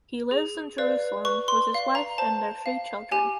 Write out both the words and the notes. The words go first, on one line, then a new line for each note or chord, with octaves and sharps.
He lives in Jerusalem with his wife and their three children.
G#4
B4 D5 F5
B4 C#6
C6
D5 F5
A#5
C5 A5
F5
G4 G#5